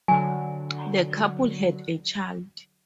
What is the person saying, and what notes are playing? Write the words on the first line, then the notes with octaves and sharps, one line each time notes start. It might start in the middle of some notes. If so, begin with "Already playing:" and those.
The couple had a child.
D3 F#3 G#5